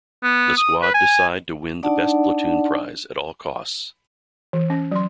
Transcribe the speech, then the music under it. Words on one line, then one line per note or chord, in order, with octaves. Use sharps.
The squad decide to win the best platoon prize at all costs.
B3
D#6
B4
G#5
D4 D#4 D5 F#5 A5
E3
C#4
F#3 C6